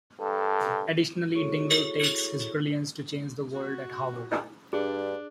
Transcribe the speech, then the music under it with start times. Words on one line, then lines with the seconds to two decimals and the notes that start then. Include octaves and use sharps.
Additionally, Dingle takes his brilliance to change the world at Harvard.
0.20 G2 A4
1.35 E4 F#4 G#4 A4 C#5 C#6
3.54 F#4
4.73 G2 D4 G#4